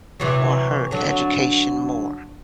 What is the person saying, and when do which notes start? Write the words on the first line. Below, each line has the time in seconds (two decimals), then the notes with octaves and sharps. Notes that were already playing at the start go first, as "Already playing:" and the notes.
or hurt education more?
0.20 C3 E3 F#3
0.91 D3 F#3